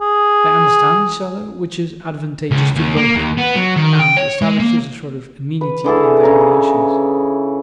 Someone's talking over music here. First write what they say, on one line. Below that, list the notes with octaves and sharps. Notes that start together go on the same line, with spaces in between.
They understand each other, which is advantageous to both, and establishes a sort of amenity in their relations.
G#4
C#2
D#2
A#3
D#2
B3
F#3
D#3
G5
C#5
G#3
A#3
B4
D3 E3 G#4 A4
C#3 C#5 A#5